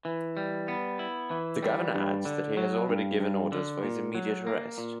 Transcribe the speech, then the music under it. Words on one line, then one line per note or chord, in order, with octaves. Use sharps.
The governor adds that he has already given orders for his immediate arrest.
E3
G3
B3
E4
E3
G3
G2
D3
F#3
G2
G2
D3
A#2
F#3
A#3
A#2